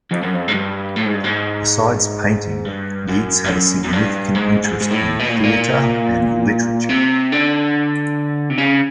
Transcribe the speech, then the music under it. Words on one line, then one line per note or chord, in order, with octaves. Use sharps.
Besides painting, Yeats had a significant interest in theatre and in literature.
F2
F#2
F2
G#2
G2
A2
G#2
G2
G#2
G2
F#2
G2
F#2
F#2
G2
G#2
G#2
G#2
A2
B2
A#2
A2
A#2
C3
D3
C3
C#3